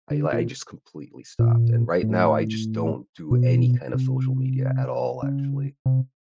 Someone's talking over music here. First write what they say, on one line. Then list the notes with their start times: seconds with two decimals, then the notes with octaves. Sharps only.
I li I just completely stopped. And right now, I just don't do any kind of social media at all, actually.
0.11 D3
0.33 A#2
1.39 A#2
2.03 A2
3.31 B2
3.94 C3
5.22 C#3
5.86 C3